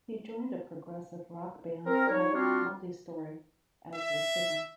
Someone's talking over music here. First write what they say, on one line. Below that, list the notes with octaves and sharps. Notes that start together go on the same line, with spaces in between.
He joined a progressive rock band called "Multi-Story" as their singer.
C4 A#4
G3 D#4 C#5
G3 C4 D4 F4 F#4
E5